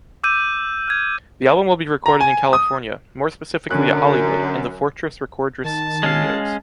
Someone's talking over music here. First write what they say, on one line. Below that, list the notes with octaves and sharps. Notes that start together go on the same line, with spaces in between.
The album will be recorded in California, more specifically at Hollywood, in the Fortress Recordres studios.
D6 E6 G6 D#7
F6 G#6
A#5
G#5
D#6
F#2 D3 C#4 F#6
D#3 A5
G#3 C#4 F5